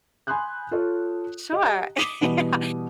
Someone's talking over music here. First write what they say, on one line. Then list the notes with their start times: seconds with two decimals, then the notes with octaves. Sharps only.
Sure. Yeah,
0.27 G#5 B5 C6 D#6 F#6 G6
0.71 F4 A4 C#5
1.53 G4 D#5
1.97 D6 D#6 B6 D#7
2.21 B2 E3 G3 B3